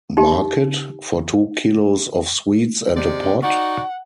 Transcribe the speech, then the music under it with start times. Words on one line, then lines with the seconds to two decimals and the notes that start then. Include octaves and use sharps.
Market? For two kilos of sweets and a pot!
0.17 D#4 G4
2.95 C3 G#3 D5
3.42 D#4 F#4 D5 F#5